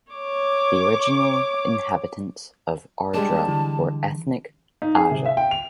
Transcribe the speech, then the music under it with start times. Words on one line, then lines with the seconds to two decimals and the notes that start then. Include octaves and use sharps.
The original inhabitants of Ardra were ethnic Aja.
0.12 C#5 D6
3.14 G3 G#3 D4 A5
3.48 D3 E3
4.82 D#4
4.96 G#4
5.11 C3
5.26 E5
5.37 G5
5.51 F7